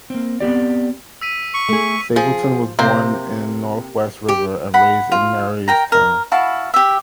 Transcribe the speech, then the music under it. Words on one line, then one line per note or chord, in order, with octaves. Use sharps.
Stapleton was born in North West River and raised in Marystown.
A#3 C4
B3 C4 G4 D5
E6 B6 D#7
C#6
A3 G#4
F3 G#4
C3 A#3 C5
G4
F#5 B5
F4
A#4 G5 A#5
A#4
E4 F#4 F5 A5
G4 E5